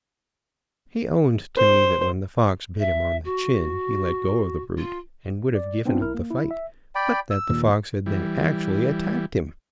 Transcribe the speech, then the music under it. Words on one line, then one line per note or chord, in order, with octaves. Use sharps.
He owned to me that when the fox bit him on the chin, he let go of the brute, and would have given up the fight, but that the fox had then actually attacked him.
C5
E5
F#4
F4
D5
B3 C4 D4 D#4 F4
B1 E4 A#4 F6
A#3
E4
E5
D5 G5 B5
E6
D#2 A#2
E3 G3